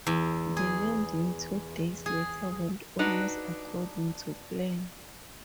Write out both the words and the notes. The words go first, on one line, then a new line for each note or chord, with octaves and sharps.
The landing two days later went almost according to plan.
E2
G#4
G#4
D4 D#4 F#4 B4